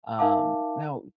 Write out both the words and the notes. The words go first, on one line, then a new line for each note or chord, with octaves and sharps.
um, now,
D#4 A#4 E5 F5 A5 D6